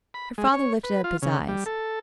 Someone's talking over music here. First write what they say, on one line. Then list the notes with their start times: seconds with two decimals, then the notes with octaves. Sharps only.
Her father lifted up his eyes.
0.14 B5
0.38 G#3
0.54 C#5
0.83 B4
1.04 F4
1.22 C#3
1.48 G3
1.66 A4